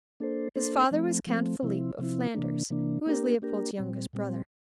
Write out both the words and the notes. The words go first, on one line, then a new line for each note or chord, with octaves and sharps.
His father was Count Philippe of Flanders who was Leopold's youngest brother.
A#3 D4 A4 C5
A#3 D4 A4 C5
F3 A3 C4
F3 A3 C4
C3 F3 C4 E4
C3 F3 C4 E4
C3 E3 A#3 D4
C3 E3 A#3 D4
A#3 D4 G4 A#4
A#3 D4 G4 A#4
A#2 G3 C4
A#2 G3 C4